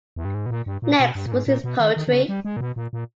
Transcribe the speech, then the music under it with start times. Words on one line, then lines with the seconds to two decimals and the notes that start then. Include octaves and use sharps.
Next was his poetry.
0.16 E2
0.25 G2
0.34 G#2
0.46 B2
0.51 A#2
0.66 G2
0.82 A#2
1.00 B2
1.15 G2
1.26 A#2
1.32 G#2
1.47 A#2
1.64 B2
1.80 D#3
1.96 D#3
2.08 D#3
2.12 C#3
2.29 G3
2.45 G#3
2.57 A#2
2.61 B2
2.76 A#2
2.93 A#2